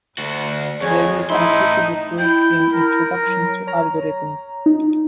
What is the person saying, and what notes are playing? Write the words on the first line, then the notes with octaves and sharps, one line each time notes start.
There is an accessible proof in "Introduction to Algorithms".
D2 F#4
F2 G#4 C#5
A2 D#4 E4 C6
E4 G5
A#4
F#3
C#5 A#5
D#4